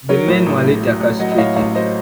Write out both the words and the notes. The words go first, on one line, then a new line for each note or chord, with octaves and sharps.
The men were later castrated.
F#3 A#4 C#5
A2
A1
A2
F#3
A1
F#3 D#5 F#5
D#5
A2 C#5 F5
A1 C#5 F5
F#3 C5 D#5